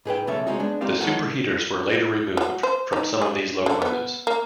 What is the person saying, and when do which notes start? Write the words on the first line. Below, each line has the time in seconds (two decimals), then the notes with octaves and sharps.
The superheaters were later removed from some of these locomotives.
0.05 G#2 G#4 B4 G5
0.27 B1 C#3 A3 A4 E5
0.47 G#3 C4 C#4 D#4 F#4
0.59 G#3 B3 D4
0.81 C4 D#4 G4 A#4 D5 F5
1.01 F#3 G#3 A#3 F4 A4 F#5
2.37 F#3
2.63 C5
2.93 D#4
3.22 G#4
3.66 D3
3.82 B3
4.27 A#3